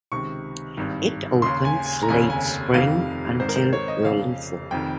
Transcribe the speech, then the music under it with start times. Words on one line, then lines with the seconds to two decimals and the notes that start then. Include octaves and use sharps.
It opens late spring until early fall.
0.12 C#2 C3 D#3 C#6
0.77 G#1 G2 D#3
1.42 D#2 C#3 C6
1.65 G#5
1.86 G#5
2.03 A#5
2.08 F1 D#2 C#3 G#5
2.30 G#5
2.73 F1 F2 C3 D#3 F5
3.40 G#1 G#2 D#3 C5
3.49 A#4
3.56 C5
3.73 C#5
3.88 D#5
4.04 F1 F2 C#3 F5
4.70 F1 F2 D#3 G5